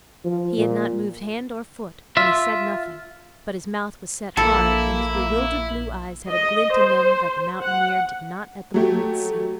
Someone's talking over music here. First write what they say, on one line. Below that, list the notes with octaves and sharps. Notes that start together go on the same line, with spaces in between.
He had not moved hand or foot and he said nothing, but his mouth was set hard and his bewildered blue eyes had a glint in them that the mountaineer did not at the moment see.
F3
A#2
F4 E5
A#1 A#3 E4 A4
D#5
C5
F#5
F#3 A3 G4